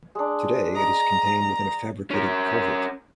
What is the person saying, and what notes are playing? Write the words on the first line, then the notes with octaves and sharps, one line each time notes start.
Today it is contained within a fabricated culvert.
G#3 D4
D#5 A#5
C#4 A#4